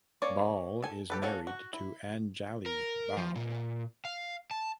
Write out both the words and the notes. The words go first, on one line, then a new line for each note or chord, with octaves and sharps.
Bahl is married to Anjali Bahl.
A#3 C#4 C#5 D5
A4 G#5
G4 A4 B4
A#3 C#4 F#4 A4
F#4
E4
A#4
F3
A#2
F5
A5